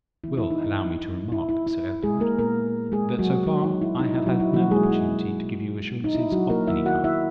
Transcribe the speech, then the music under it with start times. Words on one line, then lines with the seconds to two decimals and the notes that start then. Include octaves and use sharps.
"You will allow me to remark, Sir Ethelred, that so far I have had no opportunity to give you assurances of any kind."
0.24 E3 B3 E4
0.37 E4
0.50 D#4
0.64 E4
1.32 E4
1.49 E4
1.67 E4
2.03 G#3 G#4
2.20 A#3 A#4
2.38 A#2 G#3 A#3 B3 A#4
2.92 G#3 G#4
3.19 F#3 F#4
3.46 F#3 F#4
3.64 D#4
3.81 E4
3.99 D#4
4.13 E4
4.26 F#3 F#4
4.40 E4
4.53 B2 F#3 A#3 C#4 F#4
4.71 G#3 G#4
4.89 E4
6.04 D#4
6.15 E4
6.32 F#3 F#4
6.50 A#3 A#4
6.67 D#3 F#3 B3 E4 E5
6.86 F#4 F#5
7.04 E4 E5